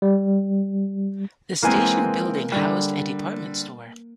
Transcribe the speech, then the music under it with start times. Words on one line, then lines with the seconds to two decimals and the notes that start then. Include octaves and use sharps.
The station building housed a department store.
0.02 G3
1.62 E3 G#3 A#3 C4 B4 G#5
2.52 D3 G3